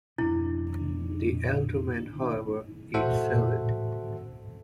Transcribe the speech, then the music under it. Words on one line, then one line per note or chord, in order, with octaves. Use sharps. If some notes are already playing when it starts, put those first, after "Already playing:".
The Alderman, however, eats salad.
F2 G#2 B2 D4 E4
A2 F#4 A4 C5 E5 F#5